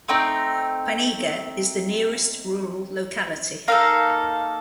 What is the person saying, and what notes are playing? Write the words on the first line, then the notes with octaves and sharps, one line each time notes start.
Pinega is the nearest rural locality.
A3 C4 D#4 G5
A#3 D#4 A4 F5